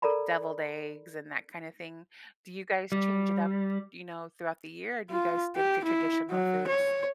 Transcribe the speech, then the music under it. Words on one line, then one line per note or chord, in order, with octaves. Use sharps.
deviled eggs and that kind of thing. Do you guys change it up, you know, throughout the year, or do you guys stick to traditional foods?
A4 A#4 D5 A#5 B5
G3
F4
G4
E4
F#3
C#5